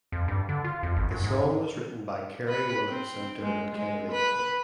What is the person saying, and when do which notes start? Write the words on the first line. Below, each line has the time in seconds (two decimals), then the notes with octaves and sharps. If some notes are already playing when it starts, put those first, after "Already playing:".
The song was written by Carey Willetts and Dermot Kennedy.
0.12 F2
0.28 G2
0.49 D3
0.64 F4
0.83 F2
0.97 G#1
1.11 F#2
1.24 G#2
2.48 B4
2.88 C4
3.42 G#3
3.75 G#3
4.11 B4